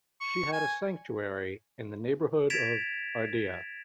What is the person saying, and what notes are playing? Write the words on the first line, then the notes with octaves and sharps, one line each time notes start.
She had a sanctuary in the neighborhood of Ardea.
C#6
G#5
G#6 A6 B6 D7 E7 F7